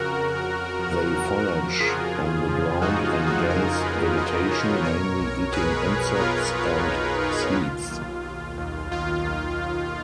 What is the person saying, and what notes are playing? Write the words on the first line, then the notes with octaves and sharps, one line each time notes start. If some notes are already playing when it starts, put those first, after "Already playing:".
They forage on the ground in dense vegetation, mainly eating insects and seeds.
Already playing: F2 C#3 F#4 A#4
F2
C#3
F3
F2
F3 F#4 A#4
F2 F4 G#4
C#3
F3
F2 D#4 F#4
F4
C#3
D#4 F#4
F3 F#4 A#4
C#3 G#4 B4
F2 B4 D#5
F2 A#4 C#5
B2 A#4 C#5
B1
B1 G#4 B4
B2
A#4
B1 F4 G#4
B1
D#4
B1 F4
B1 F4
D#2 F4
D#2
D#2
D#2
D#3 F4
D#2
D#2